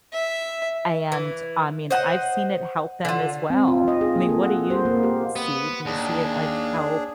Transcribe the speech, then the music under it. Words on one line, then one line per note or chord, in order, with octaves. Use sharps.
and, I mean, I've seen it help them as well. I mean, what do you see? Do you see it, like, help,
E5
E3
C5 D#5 F#5
D3 F4
C4
F4
D#5
G#4
A#3
A4
F#5
C5
A#3
G4
B3
D#2 D4 G#4